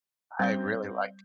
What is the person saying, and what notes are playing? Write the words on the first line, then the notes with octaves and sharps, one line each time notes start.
I really like
G3 C4 G6